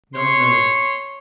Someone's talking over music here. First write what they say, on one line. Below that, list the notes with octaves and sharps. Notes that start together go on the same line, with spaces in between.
No notice.
C#5 C6